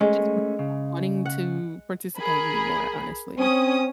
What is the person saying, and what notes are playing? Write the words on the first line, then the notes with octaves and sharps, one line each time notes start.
just really not wanting to participate anymore, honestly.
G#3 A3 C#4
C#3
F#5
G#4 A#4 B5
C4 C#4 D#6